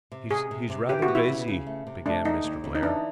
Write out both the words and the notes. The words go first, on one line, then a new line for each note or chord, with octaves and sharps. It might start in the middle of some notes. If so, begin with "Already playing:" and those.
"He's--he's rather busy," began Mr. Blair.
C3
C3 G#4
C3
C3
E3 G4
F#4
B3
E4
C#3
C#3
A3
C3
A3 D4
C4 D#4
D#2
C#3
D#4
E3 D4